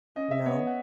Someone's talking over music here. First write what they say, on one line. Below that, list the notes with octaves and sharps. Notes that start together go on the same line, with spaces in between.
you know?
C#4 D#5
E5
B3 C#5
F#5